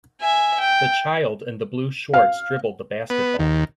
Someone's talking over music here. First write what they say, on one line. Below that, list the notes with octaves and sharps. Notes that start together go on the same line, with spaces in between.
The child in the blue shorts dribbled the basketball.
E5 G#5
G5
F5
B3
D#2